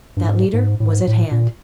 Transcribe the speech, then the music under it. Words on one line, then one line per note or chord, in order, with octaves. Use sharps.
That leader was at hand.
G2
G#2
G#2
A2
G#2
A2
A#2